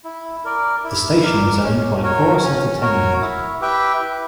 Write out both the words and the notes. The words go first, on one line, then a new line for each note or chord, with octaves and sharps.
The station is owned by Corus Entertainment.
E4
A#4 D5
E4
A#4 D5
C#4
F#4 A#4 C#5
C#4
F#4 A#4 C#5
E4
G4 B4 E5 G5
E4